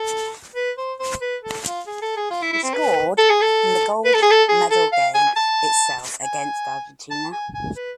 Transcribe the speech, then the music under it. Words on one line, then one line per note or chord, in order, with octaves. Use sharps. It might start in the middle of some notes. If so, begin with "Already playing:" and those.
He scored in the Gold Medal game itself against Argentina.
Already playing: A4
B4
C5
C5
B4
A4
F4
G#4
A4
G#4
F4
E4
E4
C4
B4
A4
G#4
A4
B4
A4
G#4
A4
G#4
A4
F5
G#5
A5
G#5
A5
G#5
G#5
B4